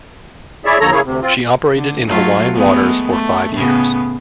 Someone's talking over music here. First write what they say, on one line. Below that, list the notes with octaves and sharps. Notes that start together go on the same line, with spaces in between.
She operated in Hawaiian waters for five years.
E4 G#4 C#5 D5 E5
D#2 D3 F3 A4 C#5 A#5
C#3 A#3 E4 G#4 C#5
D2 C3
C4 F4
D3
F#3 A3 F4
G#3 A3 B3
A3
A2 C#3 B3